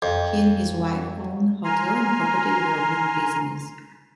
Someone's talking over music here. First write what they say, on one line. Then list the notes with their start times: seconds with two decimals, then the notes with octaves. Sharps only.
He and his wife own a hotel and property development business.
0.02 F2
1.64 G#5 A#5 C6 F6